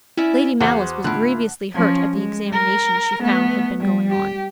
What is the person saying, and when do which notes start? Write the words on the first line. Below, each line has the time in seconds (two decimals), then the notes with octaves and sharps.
Lady Malice was grievously hurt at the examination she found had been going on.
0.17 C#4 E4 D5 E5
0.60 E2 F#4 G#4 C5 F#5 D6
1.04 A2 D3 E4 F4 F#6
1.75 F3 C#4
2.13 G#3
2.52 A#4
3.22 A3 B3
3.80 G3
4.10 G4